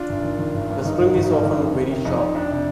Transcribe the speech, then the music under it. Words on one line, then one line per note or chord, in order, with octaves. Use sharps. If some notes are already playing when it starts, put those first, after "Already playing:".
The spring is often very short.
Already playing: D4 F4
G#1
D#3
D#3
G#1
G2
D#3 D#4
G#1
G#1
G2
D#3
F2
D#3
C3
F2 D#4
F2
F2 D4
C3